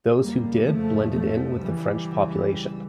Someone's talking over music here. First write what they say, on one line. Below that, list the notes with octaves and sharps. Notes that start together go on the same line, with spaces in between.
Those who did blended in with the French population.
F2 C#3 G3 A#3
F3 A3
F3 A3
E3 G3
C#2 C#3